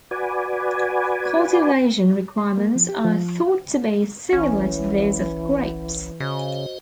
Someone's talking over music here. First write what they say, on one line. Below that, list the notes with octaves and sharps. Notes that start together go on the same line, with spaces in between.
Cultivation requirements are thought to be similar to those of grapes.
F#4 B4 D5 G#5
C6
A#3
F3
G4
F3
F#1 B1 E3 C#4
C#3 F#4 C5 D#5